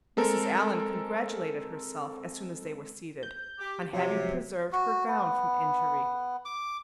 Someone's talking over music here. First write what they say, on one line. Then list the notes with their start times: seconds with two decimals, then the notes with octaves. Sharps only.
Mrs. Allen congratulated herself, as soon as they were seated, on having preserved her gown from injury.
0.17 G#3 C4 A4 A#4
3.23 G6
3.59 G4
3.93 C3 F3 F#3 C#5
4.72 F#4
5.08 B3
6.45 D6